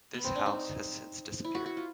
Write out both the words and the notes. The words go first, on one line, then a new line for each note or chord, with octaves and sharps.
This house has since disappeared.
B3
C4
D4
D#4
E4
F#4
F#4
F4